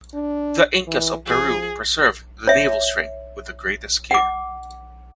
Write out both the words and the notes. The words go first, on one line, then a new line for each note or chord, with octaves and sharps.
The Incas of Peru preserved the navel-string with the greatest care.
D4
E3
F3 G#4
C#5 E5
F#5 D6